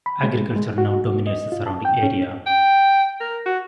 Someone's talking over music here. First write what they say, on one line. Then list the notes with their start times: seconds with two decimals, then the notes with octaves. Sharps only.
Agriculture now dominates the surrounding area.
0.06 B5
0.24 G#3
0.56 G#3
0.78 F#4
1.27 D#5
1.52 F4
1.66 A5
1.85 G5
2.03 C#4
2.47 G5
3.20 A#4
3.46 F#4